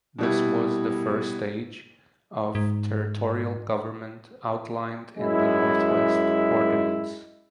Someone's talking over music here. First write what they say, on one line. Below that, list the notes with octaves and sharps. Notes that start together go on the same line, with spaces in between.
This was the first stage of territorial government outlined in the Northwest Ordinance.
B2 G3 E4
G#2
F#2 G#3 E4